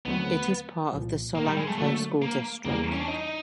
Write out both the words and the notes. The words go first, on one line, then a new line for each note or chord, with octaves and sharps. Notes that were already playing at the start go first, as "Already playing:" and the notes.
It is part of the Solanco School District.
D#2 D3 F#3 A3 B3 C4
C2 A#2 F3
A#3
G3
G#3
A3
D3 F#3 A3 A#3 D4 F#4
A#3
E2 C#3 E3 G3 A#3 B3
C#4
D4
D#4